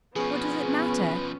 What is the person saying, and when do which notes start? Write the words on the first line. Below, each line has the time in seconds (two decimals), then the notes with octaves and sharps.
What does it matter?
0.16 B2 F3 B3 C#4 G#4 B4